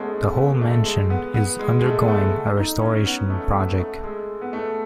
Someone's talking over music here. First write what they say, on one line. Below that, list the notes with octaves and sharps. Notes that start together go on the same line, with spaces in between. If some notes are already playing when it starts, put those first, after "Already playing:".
The whole mansion is undergoing a restoration project.
Already playing: G#3 A3 B3 C#4
A3
B3
A3
G#3
B3
B3
G#3
G#3
A3
B3
A3
D#4
C#4
B3
A3
B3
A3
G#3
B3
A3